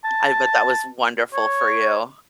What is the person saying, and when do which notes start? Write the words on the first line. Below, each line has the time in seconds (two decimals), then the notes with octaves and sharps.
I bet that was wonderful for you.
0.04 A5
1.33 C#5